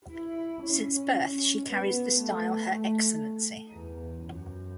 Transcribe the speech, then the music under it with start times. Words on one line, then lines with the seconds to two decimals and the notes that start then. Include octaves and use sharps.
Since birth she carries the style "Her Excellency".
0.11 E4
0.63 C#4
1.66 B3
2.18 A3
2.68 A3
3.73 E2
4.23 F#2